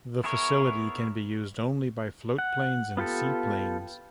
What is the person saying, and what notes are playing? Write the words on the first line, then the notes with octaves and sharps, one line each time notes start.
The facility can be used only by floatplanes and seaplanes.
B3 E4 G#4 A#4 C#5
F#5
B3 F4 G4 A4